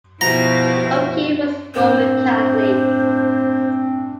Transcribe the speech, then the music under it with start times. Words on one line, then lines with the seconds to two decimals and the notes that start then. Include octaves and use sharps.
O'Keefe was Roman Catholic.
0.21 B2 F3 E4 F#4 G4 F5 A#5
1.74 A2 C4 D4 C5